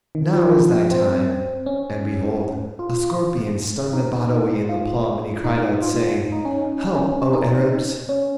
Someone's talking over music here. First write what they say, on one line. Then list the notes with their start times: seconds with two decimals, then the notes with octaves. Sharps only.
Now is thy time!" And behold, a scorpion stung the Badawi in the palm and he cried out, saying, "Help, O Arabs!
0.15 D#3
0.33 F3
0.91 C4
1.66 C#4
2.79 F4
3.93 D#4
4.69 F4
5.44 D#4
5.82 F4
6.32 D#4
6.45 C#4
6.95 C#4
7.33 D#4
8.09 C#4